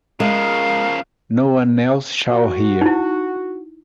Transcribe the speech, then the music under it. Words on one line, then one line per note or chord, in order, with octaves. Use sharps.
No one else shall hear.
C#3 F3 G#3 A#4 F5
F#4
D#4 E4